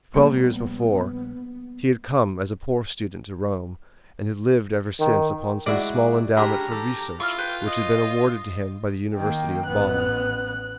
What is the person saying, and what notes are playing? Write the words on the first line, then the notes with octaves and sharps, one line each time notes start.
Twelve years before, he had come as a poor student to Rome, and had lived ever since upon some small endowment for research which had been awarded to him by the University of Bonn.
A#1 G3 A#3 B3
D#3
G#3 E4 F#4 D5
C#4 D4 G4 G#4 A#5 B5
G4 A4
E4 F4 C#6 F6
B4 G5
D#5
D#3 A#3 G5
A1 B3 F#6